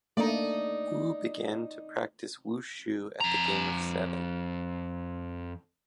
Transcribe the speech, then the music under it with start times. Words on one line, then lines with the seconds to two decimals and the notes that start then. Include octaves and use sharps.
Wu began to practice wushu at the game of seven.
0.17 A3 A#3 D4 D#4 D5
3.21 F2 A#5